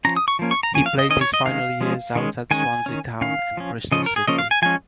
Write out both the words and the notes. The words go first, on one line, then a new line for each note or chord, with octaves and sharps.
He played his final years out at Swansea Town and Bristol City.
F3 C#4 A#5
D#6
C#6
F3 A#3 C#4
C#6
A#5
F3 A#3 C#4 G#5
F5
D#5
D#3 C#4 D#5
C#5
D#5
D#3 G#3 C#4 F5
F3 G#3 C#4
D#3 G#3 C#4
D#3 G#3 C#4 G#5
D#3 C#4
D#3 C#4 F5
F3 C#4
C#3 F3 C#4 D#5
A#4
G#4
C#3 F3 A#3 C#4 D#5
F5
G#5
F3 G#3 C#4 G#5